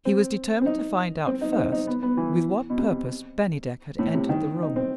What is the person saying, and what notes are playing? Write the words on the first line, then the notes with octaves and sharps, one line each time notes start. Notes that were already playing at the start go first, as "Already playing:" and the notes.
He was determined to find out, first, with what purpose Bennydeck had entered the room.
C4
C4
D#4
C4
D#4
D#4
C4
D#4
B3
B3
E3
B2
C3
A2
C3
D#3
D#4
C4